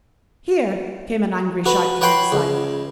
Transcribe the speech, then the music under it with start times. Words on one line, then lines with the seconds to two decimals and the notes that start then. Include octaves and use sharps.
"Here!" came an angry shout from inside.
1.66 F#4 B4
2.01 B4 C#5 F#5 G5 B5 C6
2.32 C#2